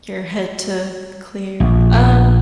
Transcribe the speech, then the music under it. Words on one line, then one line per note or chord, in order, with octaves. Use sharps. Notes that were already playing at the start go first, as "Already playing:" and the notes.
your head to clear. Um
A#1